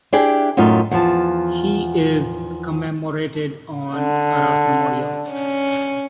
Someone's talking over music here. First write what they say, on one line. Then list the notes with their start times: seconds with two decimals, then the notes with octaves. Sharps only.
He is commemorated on the Arras memorial.
0.13 D4 E4 G4 G#4 D5
0.57 F#2 A2 D#4 F4
0.91 E2 F3 A5
3.96 D3
5.31 C#4